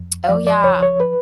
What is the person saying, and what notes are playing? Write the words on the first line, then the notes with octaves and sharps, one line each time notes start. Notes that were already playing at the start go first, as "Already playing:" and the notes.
Oh, yeah.
Already playing: F2
F5
F3 D5
D5
C#2 C#5
C#5
B4